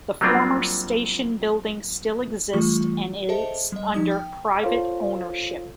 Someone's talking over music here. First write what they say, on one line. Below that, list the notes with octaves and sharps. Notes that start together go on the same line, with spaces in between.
The former station building still exists and is under private ownership.
F#3 G3 A#3 C4 D4 F4
E3 G3 A3 F4 G#4 C#6
G#4 A4 C5 D#5 E5 A5
G3 D#5
F3 D#4 D#6
G5
F4 A4 C5 C#5 F5